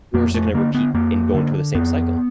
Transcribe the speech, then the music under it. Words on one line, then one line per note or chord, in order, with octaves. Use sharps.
or it's ju gonna repeat and go into the same cycle.
F2 A#3
A3
D3 A#3
B3
F2 A#3
D3
F2 B3